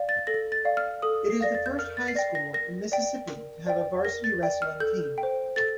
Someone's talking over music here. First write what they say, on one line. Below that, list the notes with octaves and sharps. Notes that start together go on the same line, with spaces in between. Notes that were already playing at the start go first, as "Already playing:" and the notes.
It is the first high school in Mississippi to have a varsity wrestling team.
Already playing: D5 F5
A6
A4 A#6
A6
D5 F5
F6
A4 D#6
C7
D5 F5 A#6
A6
G6
A#4 F6
A6
C7
D5 G5 A#6
A#6
A#4 A#6
D5 G5
A#4
D5 G5
A#4 A#6
A6
D5 G5
F6
A4 G6
G5
C5
A4 A6